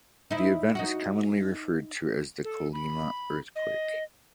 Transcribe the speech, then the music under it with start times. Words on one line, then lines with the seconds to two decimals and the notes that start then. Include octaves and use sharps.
The event is commonly referred to as the Colima earthquake.
0.31 D#4 E4
0.75 D#4 F#4
2.44 A4
2.73 B5
3.56 D#5